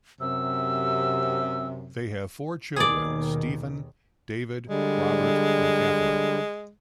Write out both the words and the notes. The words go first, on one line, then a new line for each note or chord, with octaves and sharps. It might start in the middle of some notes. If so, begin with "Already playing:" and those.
They have four children Stephen, David, Robert and Catherine.
F#2 C3 E6
D#2 B2 D#3 G#4 D5
D3 G3 G#3